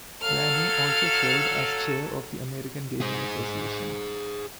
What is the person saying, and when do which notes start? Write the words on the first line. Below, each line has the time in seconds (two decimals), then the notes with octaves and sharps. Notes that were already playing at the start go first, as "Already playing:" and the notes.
Lanni also served as Chair of the American Gaming Association.
0.22 F#3 A4 F5 F6
3.01 G#4 C5